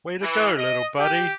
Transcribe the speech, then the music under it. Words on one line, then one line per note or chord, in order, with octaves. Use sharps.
Way to go little buddy!.
E3
D#5
G4